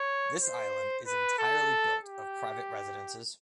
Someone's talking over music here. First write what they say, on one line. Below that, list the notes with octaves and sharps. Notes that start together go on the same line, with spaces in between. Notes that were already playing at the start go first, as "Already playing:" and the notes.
This island is entirely built of private residences.
Already playing: C#5
C5
B4
A4
G4